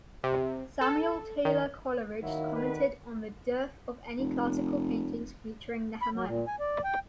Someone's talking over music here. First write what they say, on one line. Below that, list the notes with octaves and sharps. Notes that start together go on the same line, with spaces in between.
Samuel Taylor Coleridge commented on the dearth of any classical paintings featuring Nehemiah.
C3
A4
D#3
D#3 F#3 A#3 E4
D2 B4
F1
B5
F#3
A#2
G#5
D5
G5